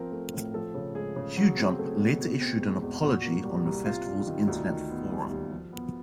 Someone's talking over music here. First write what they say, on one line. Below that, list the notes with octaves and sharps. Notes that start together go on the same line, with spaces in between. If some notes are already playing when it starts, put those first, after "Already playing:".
Qjump later issued an apology on the festival's Internet forum.
Already playing: F3 C4 A#4
A3
A2
F3 A4
C#3
G#3 G#4
C#3
F#3
C4
A3
B2
B2
C4
G#3
E2
A#2 F#4
A#3
G3
C2
C3 F4
G3
D#3
D2
D#3
B3
G3
D#2
F3
B3